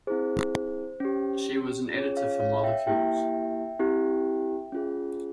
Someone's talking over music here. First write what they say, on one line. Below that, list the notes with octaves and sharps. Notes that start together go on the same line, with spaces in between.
She was an editor for "Molecules".
C4 E4 G#4 C5
C#4 G4
C#4 F4 G#4 C#5
C#5 F5
C#5 F5
E5 G5
A#3 E4 G4 E5 G5
C4 E4 G4
C#4 F4 G#4